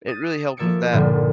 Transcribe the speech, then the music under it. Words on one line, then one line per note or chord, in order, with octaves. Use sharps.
it really helped with that.
D#6 A6
F3 A#3 E5 A6 C#7 D7
B1 G2 A#2 D3 F3 G3